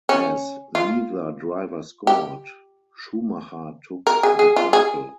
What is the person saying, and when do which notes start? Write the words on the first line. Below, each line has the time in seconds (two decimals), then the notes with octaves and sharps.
As neither driver scored, Schumacher took the title.
0.09 C#4
0.75 F4
2.07 G4
4.07 A#4
4.23 G#4
4.39 G#4
4.56 F4
4.73 G#4